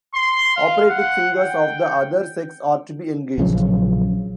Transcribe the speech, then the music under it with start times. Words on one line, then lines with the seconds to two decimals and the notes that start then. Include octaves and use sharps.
Operatic singers of the other sex are to be engaged.
0.14 C6
0.56 F5
0.89 F#5
1.39 G5
3.38 A#1 C#3 F3 F#3